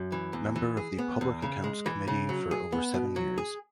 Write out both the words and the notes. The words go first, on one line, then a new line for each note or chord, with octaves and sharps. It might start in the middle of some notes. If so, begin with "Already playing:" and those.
Member of the Public Accounts Committee for over seven years.
Already playing: F#2
E3
E2
E3
G#4
B3
E2
C#3
G#3
E3
C#3
F#3
G#4
B3
B2
F#3
G#4